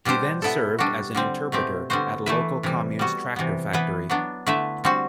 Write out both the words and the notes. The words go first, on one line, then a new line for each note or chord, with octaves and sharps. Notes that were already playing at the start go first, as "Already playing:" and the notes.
He then served as an interpreter at a local commune's tractor factory.
B2 G3 D4 G4 C5
B3 E4 A4
G3 D4 F#4
D3 G3 C4
B2 A3 C4 G4
D3 G3 B3 F#4 C5
E3 A3 E4 B4 E5
C3 E3 G3
G3 B3 F#4
C3 E3 B3
E3 B3 E4 B4
F#3 B3 D4
D3 A3 E4 B4 E5
D3 G3 C4 F#4